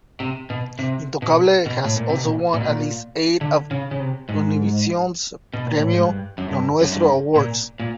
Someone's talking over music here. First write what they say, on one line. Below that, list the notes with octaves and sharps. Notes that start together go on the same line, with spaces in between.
Intocable has also won at least eight of Univision's Premio Lo Nuestro awards.
C3
B2
C3
B2
B2
A2
A#2
C3
B2
A#2
A#2
B2
A#2
D3
C#3
C#3
C3
G#2
B2
A#2
A2
G#2
G2
F#2
G2
F#2
G2
A#2
A#2